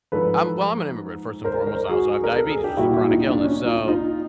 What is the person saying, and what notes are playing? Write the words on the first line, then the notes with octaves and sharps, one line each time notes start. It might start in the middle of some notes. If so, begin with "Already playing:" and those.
I'm well, I'm an immigrant first and foremost, I also have diabetes, which is a chronic illness, so
G#2 F3 A4 B4
A#4 C5
A#4 C5
F#4 G#4
A#4
A4
G#4
G4
A#2 G3 E4 F#4
E4 F#4
D#4 F4
D4
C#4 D#4
D#4 F4
D#4 F4